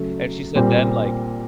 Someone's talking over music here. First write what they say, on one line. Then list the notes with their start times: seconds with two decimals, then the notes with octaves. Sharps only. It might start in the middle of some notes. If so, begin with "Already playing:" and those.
And she said then, like,
Already playing: C#3 F#3 A3
0.55 A#2 G3 C4